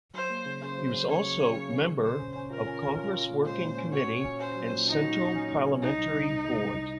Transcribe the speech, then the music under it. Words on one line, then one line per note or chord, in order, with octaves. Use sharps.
He was also member of Congress Working Committee and Central Parliamentary Board.
F#3 C5
A#3
C#3
C#3 C5
F#3
C#3
C#3 C#5
F#3
C#3
C#3
C#3
C#3
A#2 C5
C#4
C#4
F4 A#4
C#4
C#4
F4
F4
A#2
G#3 C5
A#2
C#4
F#4 C#5
A#2
C#4
C#4 C5
F#3
A#2
F#3 D#4
F#4
F#4
C#4
A#2
C#4
C2 D#4
C2
C2
C2
C2
C2